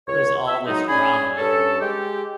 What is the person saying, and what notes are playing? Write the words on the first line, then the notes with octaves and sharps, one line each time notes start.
"There's all this drama."
C#2 C#5
E5
F#3 G#3 D#4
C#4 D4 G#4 G#5 B5
G2 C#4 A4
G#3 G4